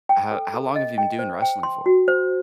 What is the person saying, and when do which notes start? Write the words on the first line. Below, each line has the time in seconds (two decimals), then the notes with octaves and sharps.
How how long have you been doing wrestling for?
0.09 G5
0.32 A4
0.54 A4
0.76 D#5
0.98 G5
1.19 C5
1.42 G5
1.63 C6
1.86 F#4
2.08 C5